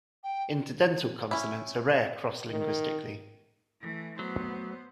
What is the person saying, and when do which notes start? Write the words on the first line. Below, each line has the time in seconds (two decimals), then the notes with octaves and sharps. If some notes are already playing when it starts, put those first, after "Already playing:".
Interdental consonants are rare cross-linguistically.
0.24 G5
1.31 C#4 E4
2.49 D#3
3.80 E3 A3
4.19 F#3 A3 B3 C5